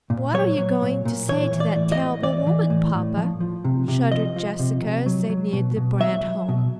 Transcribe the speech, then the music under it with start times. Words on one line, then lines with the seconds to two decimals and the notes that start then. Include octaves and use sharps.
"What are you going to say to that terrible woman, papa?" shuddered Jessica as they neared the Brant home.
0.10 A#2
0.34 F#3 C#5
0.58 F#3
0.82 A#2
1.05 A#2
1.29 E3 C#5
1.52 E3
1.60 D5
1.76 A2
1.92 D#5
1.99 A2
2.23 E3 D5
2.47 E3
2.70 A2
2.94 A2
3.17 F3
3.41 F3
3.65 C3
3.88 C3
4.12 F3 D#5
4.36 F3
4.59 C3
4.82 C3
5.06 F#3
5.29 F#3
5.53 B2
5.77 B2
6.00 F#3 E5
6.24 F#3
6.49 B2